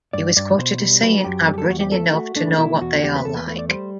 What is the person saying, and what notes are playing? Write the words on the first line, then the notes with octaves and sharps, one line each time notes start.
He was quoted as saying I've ridden enough to know what they are like.
G2 D5
G2 D5
B2 C5
G3
F#3 B4
F#2 G4
G3 A4
G4
A4
E2 F#4
G4
A3 A4
E4
A3 F#4
A3 D4
B2 E4
E2 F#4
E2 G4
B4
E2 A4
B4
A3 B4
D5
G3 C5